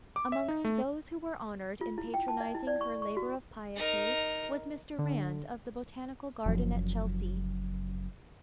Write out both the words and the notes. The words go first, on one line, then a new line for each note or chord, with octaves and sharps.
Amongst those who were honoured in patronising her labour of piety was Mr Rand of the Botanical Garden at Chelsea.
D6
E5
D#4
A3
F4
E4
G5
A5
D#5
E4
D5
C#6
C#6
F#4
D#4 A#4
D3
F#1 F#2 F3